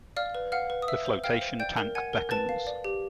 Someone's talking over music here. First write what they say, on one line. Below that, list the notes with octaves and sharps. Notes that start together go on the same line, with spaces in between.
The flotation tank beckons.
D5 F5 F6
B4
F5 F#5 F6
B4
D#6
E5 E6
C5
F5 G5 F6
C5
D5 G5 G6
A#4
F#5 G#5 G#6
A#4
B4 A5 A6
F5
D5
G4